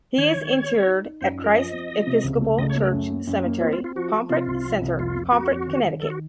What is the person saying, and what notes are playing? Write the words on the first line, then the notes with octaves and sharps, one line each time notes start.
He is interred at Christ Episcopal Church Cemetery, Pomfret Center, Pomfret, Connecticut.
D#3 C#5
D#3
D#3
C4
D#4
D#4
F#2 C5
F3
A#4
C#5
F3 D#5
C4
F3
C3
C#2
A3
C#2 D#5
C#5
A3
A#4
F#2
A#3
F#2
A#3
C4 F4
F4
C4
F4
F3 F#4
F3
C3 F4
C2
F3
C2
F2 F4
F2
F2 F#4
F2
D#3
D#3
D#3 A4
F#4